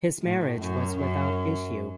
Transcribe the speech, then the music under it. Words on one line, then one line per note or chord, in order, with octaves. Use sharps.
His marriage was without issue.
A2
F#2
F#2